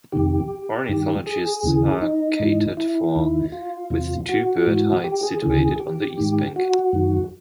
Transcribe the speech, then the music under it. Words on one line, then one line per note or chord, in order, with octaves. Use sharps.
Ornithologists are catered for with two bird hides situated on the east bank.
F2 C3 D#3 G4
G2 D#3
G#4
D#2 C#3 E3
D#4
G#2 E3
E4
D#2 D#3
F4
E2 C3 F3
F#4
G#2 E3
G4
G#4
D2 C#3 E3 G#4
G4
G#2 D#3
F#4
F#2 D#3